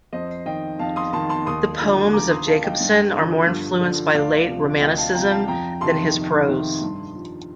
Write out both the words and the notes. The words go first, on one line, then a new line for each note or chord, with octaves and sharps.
The poems of Jacobsen are more influenced by late romanticism than his prose.
F2 C5 D#5
D#3 D#5 G5
F2 F5 A5
C6 D#6
D#3 A5 C6
A5 C6
D#2 C6 D#6
D3 F3
D#2 A#5 D6
C6 D#6
D3 F3 F5 A5
D#5 G5
G2
D3 F3
G2
D3 F3
D2 D5 F5
C3 F3
D2 D#5 G5
F5 A5
C3 F3 G5 A#5
F5 A5
F2 G5 A#5
C3 D#3 A5 C6
F2
C3 D#3
G2
F3